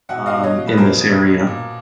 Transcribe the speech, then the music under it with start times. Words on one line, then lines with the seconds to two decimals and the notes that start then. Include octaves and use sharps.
um, in this area,"
0.09 B2 E5 F#5
0.26 D#5 F5
0.32 B2
0.43 C#5 D#5
0.55 B2
0.67 B4
0.78 B2 A#4 C5
1.00 B2
1.23 B2
1.47 A#2